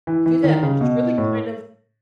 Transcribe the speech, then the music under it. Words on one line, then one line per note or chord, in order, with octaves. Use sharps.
do that, and it's really kind of,
E3
E3
D#3
C#3
B2
A2